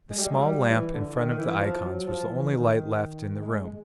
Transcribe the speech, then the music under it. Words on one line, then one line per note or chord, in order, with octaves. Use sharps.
The small lamp in front of the icons was the only light left in the room.
G#3
G3
G#3
F#3
G3
E3
D3
D#3
D#3
E3
F3
F#3
F3
E3
D#3
G#3
G#3